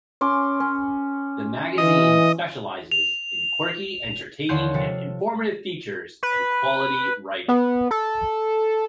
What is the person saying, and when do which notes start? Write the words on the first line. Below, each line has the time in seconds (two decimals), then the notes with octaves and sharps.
The magazine specialises in quirky, entertaining and informative features and quality writing.
0.21 C#4 C6 D6
0.60 C#4
1.78 E3 D#5
2.92 F7
4.49 D#2 D3 C#5 F#5 C6 G6
4.74 C3 F3 A4 C#7
6.23 B4
7.48 B3
7.91 A4